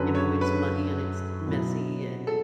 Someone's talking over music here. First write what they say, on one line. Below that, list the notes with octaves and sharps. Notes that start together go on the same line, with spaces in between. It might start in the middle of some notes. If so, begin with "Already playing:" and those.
you know, it's muddy and it's messy and
Already playing: F#2 D3 F#3 B4
C#5
B4
B2 F#3 B3 E4
A4